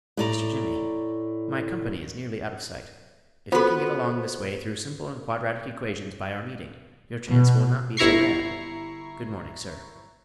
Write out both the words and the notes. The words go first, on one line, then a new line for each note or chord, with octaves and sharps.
"Mr. Jimmy, my company is nearly out of sight--if you can get along this way through simple and quadratic equations by our meeting, your chance will not be so bad--good morning, sir."
A2 D5 A#5
B3 F4 F#4 A4 B4 C5
B2
G1 E4 A#5 C#6 C7